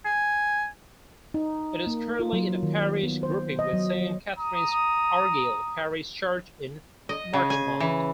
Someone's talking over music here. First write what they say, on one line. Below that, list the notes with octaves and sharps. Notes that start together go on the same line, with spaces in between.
It is currently in a Parish Grouping with Saint Catherine's-Argyle Parish Church in Marchmont.
G#5
D#4
A#3
F4
F#3
D#3
B3
C5
D#5
F#3
A#5 D#6
D#5
C#3
G#5
E3